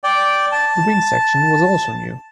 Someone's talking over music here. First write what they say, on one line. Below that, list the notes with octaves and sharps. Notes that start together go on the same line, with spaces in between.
The wing section was also new.
D5 G5
A5